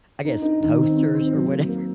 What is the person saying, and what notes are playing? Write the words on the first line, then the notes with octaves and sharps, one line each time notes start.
I guess, posters or whatever,
D#4
D#4
D#3
C4
C4
C4
F#3
A#3
A#3